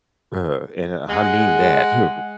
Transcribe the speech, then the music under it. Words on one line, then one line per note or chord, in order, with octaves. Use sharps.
Huh, and I mean that too.
G#3 F#5